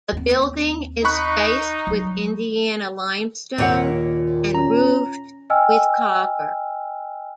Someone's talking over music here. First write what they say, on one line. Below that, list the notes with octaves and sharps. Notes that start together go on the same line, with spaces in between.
The building is faced with Indiana limestone and roofed with copper.
D#2 C4
D#4 B5 C#6 F#6
F#3 G3
D#2 A#2 C#5 F#5
C#4 A#5
D#5 G5 G#5 E6 F6